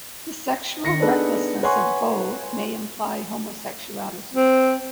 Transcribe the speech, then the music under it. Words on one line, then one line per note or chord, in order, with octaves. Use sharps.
The sexual recklessness of "beau" may imply homosexuality.
D#3 A#6 C#7
B3 D4 D#4 G#4 A4 B4
B4 C#5 F#5 G#5 C6 C#6
C4